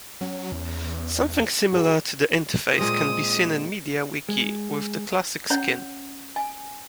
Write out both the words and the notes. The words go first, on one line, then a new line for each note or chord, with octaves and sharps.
Something similar to the interface can be seen in MediaWiki with the classic skin.
F#3 C#4
E2
F#4 G#4
A#2 G#3 C4 D#6
G#3
C#4 C#5 F#5 A#5
G#5